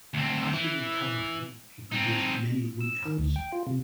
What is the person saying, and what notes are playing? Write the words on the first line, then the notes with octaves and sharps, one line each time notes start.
After recovering, he produced many woodcuts.
D2 C4
E3
C4 D#4
E6
D#3
D2
G5
F4
C3